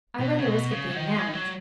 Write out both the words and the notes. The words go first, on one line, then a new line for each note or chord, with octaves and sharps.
I run the risk of being nabbed.
B2
C#3
B2
C#3
F#3
D#3
G#3
D#3
F#3